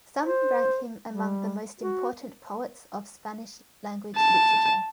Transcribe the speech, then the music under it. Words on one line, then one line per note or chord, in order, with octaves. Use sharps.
Some rank him among the most important poets of Spanish language literature.
C5
G3
F#4
A5